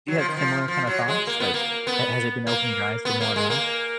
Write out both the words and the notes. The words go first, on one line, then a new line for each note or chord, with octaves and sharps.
Do you have similar kind of thoughts? Like, ha has it been opening your eyes to more and more?
F#3
F3
D#3
F3
F3
F#3
G#3
A#3
B3
A#3
B3
A#3
B3
A#3
G#3
A#3